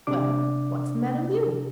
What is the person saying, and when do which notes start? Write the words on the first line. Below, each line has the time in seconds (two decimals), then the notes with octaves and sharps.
"Well, what's the matter with you?"
0.07 C3 D4 D6